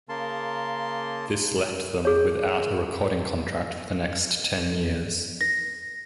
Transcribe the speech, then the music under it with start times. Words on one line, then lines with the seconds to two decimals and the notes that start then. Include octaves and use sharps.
This left them without a recording contract for the next ten years.
0.09 C#3 A#3 A#4 A5 C6
2.05 G#4 C#5
5.41 A#6